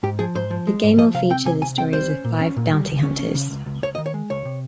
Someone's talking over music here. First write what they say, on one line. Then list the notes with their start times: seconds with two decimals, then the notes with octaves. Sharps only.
The game will feature the stories of five bounty hunters.
0.03 G#2 G4
0.19 F3 G#4
0.35 G#2 C5
0.50 F3
0.67 G#3
0.83 G#2
0.98 F3 D#5
1.14 C3 F5
1.30 C4 G5
1.45 C3 G#5
1.61 C3 G#5
1.78 C4 G5
1.93 G3 C5
2.10 C#4
2.25 A#2
2.41 C#4
2.57 A#2
2.73 G3
2.87 C#2
3.03 C#4
3.19 C#4
3.35 C#3
3.51 C#2
3.66 C#2
3.83 C#2 C#5
3.95 D#5
3.98 D#3
4.06 C#5
4.14 G#3
4.30 C#2 C#5
4.45 C3